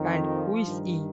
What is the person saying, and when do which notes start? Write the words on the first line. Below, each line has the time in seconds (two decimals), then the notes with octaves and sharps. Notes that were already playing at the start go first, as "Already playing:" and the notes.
And who is he?
Already playing: F2 D#3
0.26 F3
0.64 G2 D#3